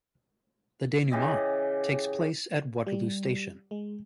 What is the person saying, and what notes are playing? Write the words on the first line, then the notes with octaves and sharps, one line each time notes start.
The denouement takes place at Waterloo Station.
C#3 E3 G4 D#5
G3
G#3